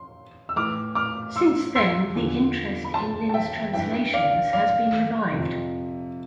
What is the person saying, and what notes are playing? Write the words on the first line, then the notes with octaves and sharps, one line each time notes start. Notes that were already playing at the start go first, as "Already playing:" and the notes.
Since then the interest in Lin's translations has been revived.
Already playing: C6
E6
A2 E3 D6 F6
D6 F6
C6 E6
C6 E6
E2 D3 F3
B5
A5 C6
A5
E5 G5
G2 E3 E5 G5
D5 F5
D5 F5
F2 C3 F3